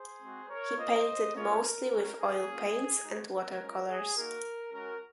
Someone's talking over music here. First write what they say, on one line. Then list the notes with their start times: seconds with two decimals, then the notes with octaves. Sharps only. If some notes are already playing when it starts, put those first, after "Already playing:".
He painted mostly with oil paints and watercolours.
Already playing: G#4 C5
0.22 G#3 C4 F#4
0.49 A#4 C#5
0.77 A#3 F4 C5 D#5
1.34 A#3 C#4 F4 A#4 C#5
1.62 A#4
1.91 G#3 C#4 F#4
2.19 G#4
2.48 A#3 C#4 F4
3.04 G#3 D#4 F#4
3.32 A#4
3.61 G#3 C#4 F4
3.89 G#4
4.17 A#3 D#4 F#4 A#4
4.73 G#3 C#4 F#4 A#4